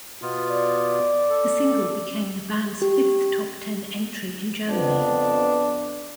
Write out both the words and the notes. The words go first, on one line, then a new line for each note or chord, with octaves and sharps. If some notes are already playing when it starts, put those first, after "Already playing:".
The single became the band's fifth top ten entry in Germany.
B2 B3 F4
D5
A4
G4
F2 B3 D4